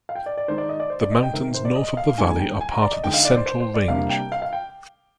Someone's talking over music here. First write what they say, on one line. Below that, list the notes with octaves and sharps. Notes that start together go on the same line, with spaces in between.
The mountains north of the valley are part of the Central Range.
F5
G5
D5
D5
D#3 G#3 D#4 C5
D5
D#5
D5
C5
D5
D#5
G5
C3 D#3 G#3 A#4
C5
D5
D#5
F5
D#3 G3 A#3 D4 G#5
G#5
G5
G#5
A#5
D5
D#5
D3 G#3 D#4 G5
F5
D5
C5
C5
C5
D5
C3 G3 A#3 D4 F5
G5
F5
F5
G5